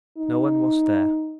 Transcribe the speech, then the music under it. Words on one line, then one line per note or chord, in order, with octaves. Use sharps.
No one was there.
D#4